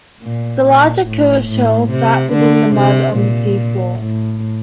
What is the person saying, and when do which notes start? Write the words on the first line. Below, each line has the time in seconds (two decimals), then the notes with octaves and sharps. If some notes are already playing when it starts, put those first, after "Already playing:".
The larger, curved shell sat within the mud on the sea floor.
0.23 A#2
0.65 A#2
1.07 A2
1.49 A2
1.91 C3
2.33 D3
2.76 C3
3.18 A#2
4.02 A2